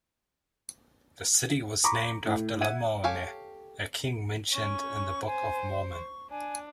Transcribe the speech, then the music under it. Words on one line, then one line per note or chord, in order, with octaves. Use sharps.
The city was named after Lamoni, a king mentioned in the Book of Mormon.
A#5 B5 C#6 D6
A2
E5 F#5 G#6 D#7
G4 A4 C#5 F5 G#5
C#4 C#6
C5 G#5
C#6
D4 G#5